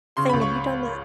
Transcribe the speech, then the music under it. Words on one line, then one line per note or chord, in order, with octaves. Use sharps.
thing. Have you done that?
C#3 C6
B5
C#2
C#6